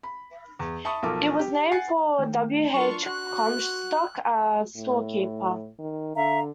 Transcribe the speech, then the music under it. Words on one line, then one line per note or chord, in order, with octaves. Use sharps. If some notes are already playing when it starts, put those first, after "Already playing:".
It was named for W. H. Comstock, a storekeeper.
B5
E2
E5 A5 B5 C#6 D#6
B1 F3 A4 A#4 D6
G4
F#5 G#5 A6 C7 C#7
D#3 A3 G5
F#3 D4 F4 A#4 C#6
F#4 C6 C#6 F#6
A2
D#3
D3 E5 F5 A#5